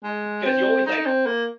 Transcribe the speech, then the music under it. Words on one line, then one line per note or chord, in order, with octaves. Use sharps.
'cause you always, like,
G#3
C4
D#4
C4
A#3